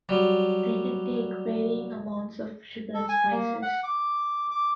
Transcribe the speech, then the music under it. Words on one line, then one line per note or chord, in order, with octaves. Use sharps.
They can take varying amounts of sugar and spices.
F#3 G3
A4
G#5
A#3
F#5
D6
D6